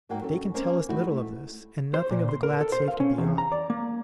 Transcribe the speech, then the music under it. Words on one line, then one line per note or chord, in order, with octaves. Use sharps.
They can tell us little of this, and nothing of the glad safety beyond.
G#2 F#3 A#3 F#5 G5
F#3 C#4 A4
A#3 C4 C#4 D#4 C5
G3 A3 D#4 E4 F#4
A3
C5
A#2
C6
A#4
A4
C5
F5
C#4
E2
A#5
D5
A#3